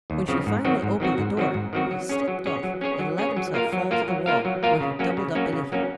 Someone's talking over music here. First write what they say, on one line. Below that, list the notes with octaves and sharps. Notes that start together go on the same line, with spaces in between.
When she finally opened the door he slipped off and let himself fall to the wall, where he doubled up in a heap.
D#2
C#3 F3 C4
G#2
D#3 F#3 C4 F#4
G#2
D#3 F#3 C4 F#4
G#2
D#3 F#3 C4 F#4
G#2
D#3 F#3 C4 F#4
F#3
C#4 G#4 C#5
F#3
C#4 G#4 C#5
F#3
C#4 G#4 C#5
F#3
C#4 G#4 C#5
F#3
A#3 F4 A#4 F5
F#3
A#3 F4 A#4 F5
F#3
A#3 F4 A#4 F5
F#3
A#3 F4 A#4 F5
C#3
F#3 A#3 C#4
C#3
F#3 A#3 C#4
C#3
F#3 A#3 C#4